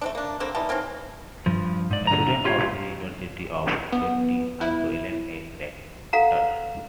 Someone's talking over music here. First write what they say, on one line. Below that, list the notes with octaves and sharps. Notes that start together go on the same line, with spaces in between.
Students of the University of Dundee also elect a Rector.
A3 C4 D4
A#3 D4
D3 G3 A#3 C4
E3 G3 D#4 A5
A#3 C4 C#4 D#4
G2 F3
G#2 D5
D3 A#5
F4 G4 C#5 F5
B3
E4
A4 F5 F#5 A#5